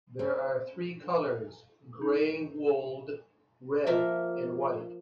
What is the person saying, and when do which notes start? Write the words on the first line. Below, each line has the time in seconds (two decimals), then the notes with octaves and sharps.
There are three colors: gray wold, red, and white.
0.19 C4
2.01 D#4
3.87 F3 A#3 A#4 E5